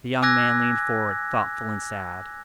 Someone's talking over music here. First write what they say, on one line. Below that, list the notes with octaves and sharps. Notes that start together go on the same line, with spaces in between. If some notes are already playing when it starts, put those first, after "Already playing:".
The young man leaned forward, thoughtful and sad.
G#5 D6 E6 F#6 G#6 A#6